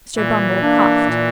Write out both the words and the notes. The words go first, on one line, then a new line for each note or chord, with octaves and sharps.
Mr. Bumble coughed.
A#2 E3
A#3 D4
A#2